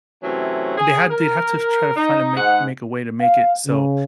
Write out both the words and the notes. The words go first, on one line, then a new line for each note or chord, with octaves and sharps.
they had they have to try to find a make make a way to make it so
C3 E3 F#3 A3 C#4
G#4
A#4
D#4
G#2 F#5
F5
C#3